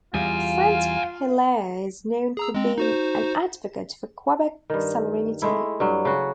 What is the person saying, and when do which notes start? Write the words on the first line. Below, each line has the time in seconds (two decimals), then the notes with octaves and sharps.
St-Hilaire is known for being an advocate for Quebec sovereignty.
0.14 E2 G3 F4 F5 F#5 G#5
2.37 G#4 A#5 E6
2.54 G#3 C4
2.78 D#4 F#4 C5
4.70 G2 D#3
5.42 G#3 A3 E4
5.80 G2 F#3
6.05 C#3 F#4